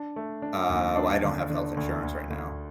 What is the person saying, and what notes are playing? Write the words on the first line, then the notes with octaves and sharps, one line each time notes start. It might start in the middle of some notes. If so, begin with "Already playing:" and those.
Uh, well, I don't have health insurance right now.
Already playing: D4
A3
D4
D#2
D4
D3
D3
D2
D2
D2